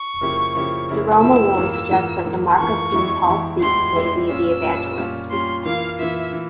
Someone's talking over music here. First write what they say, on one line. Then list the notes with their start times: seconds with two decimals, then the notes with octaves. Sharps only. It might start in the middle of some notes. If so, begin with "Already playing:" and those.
Jerome alone suggests that the Mark of whom Paul speaks may be the Evangelist.
Already playing: C#6
0.21 C#3 F3 A#3 E4 G4
0.55 C#3 F3 A#3 E4 G4
0.89 C#3 F3 A#3 E4 G4
1.22 C#3 F3 A#3 E4 G4 E6
1.57 G#2 E3 A#3 F4
1.91 G#2 E3 A#3 F4
2.25 G#2 E3 A#3 F4
2.59 G#2 E3 A#3 F4 C#6
2.93 E2 E3 G#3 E4 G4
3.26 E2 E3 G#3 E4 G4
3.61 E2 E3 G#3 E4 G4 C6
3.95 E2 E3 G#3 E4 G4
4.29 A#2 G3 C#4 F4 E6
4.63 A#2 G3 C#4 F4
4.97 A#2 G3 C#4 F4
5.31 A#2 G3 C#4 F4 C6
5.65 E3 A#3 F4 F5
5.99 E3 A#3 F4 E5
6.33 E3